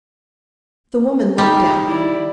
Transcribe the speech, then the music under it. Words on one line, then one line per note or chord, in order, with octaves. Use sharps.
The woman looked at me.
G3 D#4
E4 D5